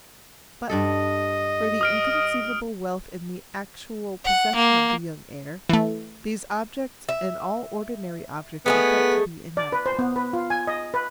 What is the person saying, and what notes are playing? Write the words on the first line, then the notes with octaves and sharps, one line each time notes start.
But, for the inconceivable wealth in the actual possession of the young heir, these objects and all ordinary objects were felt to be inadequate.
G2 D4 A4 D#5
D#6 F6 D7
F#5
A#3
E3 A3
E5
G#3 A3 B3 G#4
D5
B4
C5
B3
B4
F4
G#5
D#5
B4